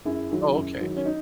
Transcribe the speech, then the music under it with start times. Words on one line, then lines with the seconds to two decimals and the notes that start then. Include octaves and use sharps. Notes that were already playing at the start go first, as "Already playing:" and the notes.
Oh, okay,
0.05 F#2 E4 G#4
0.31 D#3 F#3
0.55 F#2
0.81 D#3 F#3
0.96 C#4
1.05 D#4